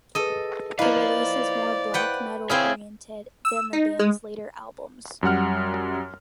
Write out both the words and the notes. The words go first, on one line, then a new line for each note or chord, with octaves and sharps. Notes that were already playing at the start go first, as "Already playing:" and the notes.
The release is more black metal oriented than the band's later albums.
G#4 A4 B4 D#5
A#3 E4 B4 C5 D5 D#5 F5
B4 F#5 G5
C4 E4 G#4 C#5 F5 G#5 F6 G#6
E6
D#4
G#3
F#2 G3 F#5 F6